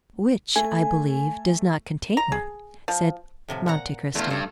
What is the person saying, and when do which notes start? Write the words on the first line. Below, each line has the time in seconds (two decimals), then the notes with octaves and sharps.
"Which, I believe, does not contain one?" said Monte Cristo.
0.56 A3 G#5
2.17 A#5
2.32 G#4
2.88 F3
3.48 A2 C3 F3
3.66 A#2 F#5 A#5
4.15 E2 A3 F4
4.30 G2 A4